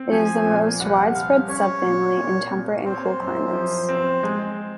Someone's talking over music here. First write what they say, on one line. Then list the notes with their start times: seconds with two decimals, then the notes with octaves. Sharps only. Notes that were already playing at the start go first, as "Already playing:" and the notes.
It is the most widespread subfamily in temperate and cool climates.
Already playing: C4
0.11 F3 G#5
0.46 A#2
0.80 C2 F#5
1.14 C2 F5
1.48 C#4 C#5
1.82 A#2
2.17 A#2
2.51 A#2
2.86 C4 C5
2.94 C#5
3.03 C5
3.20 F#2
3.54 F3
3.89 C4
4.23 G#3